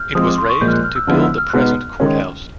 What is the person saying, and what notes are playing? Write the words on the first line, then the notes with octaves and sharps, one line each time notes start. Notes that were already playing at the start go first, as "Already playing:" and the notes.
It was razed to build the present courthouse.
Already playing: F6 G6
F3 G#3 C4 D#6
D6
C6
C#6
A#2 F3 G#3 G6
F6
F#6
F6
E6
D3 F3 G#3 B3 E4 F6
E6
F6
B2 G#3 B3 D#4 F#6
F6
D#3 G#3 C#4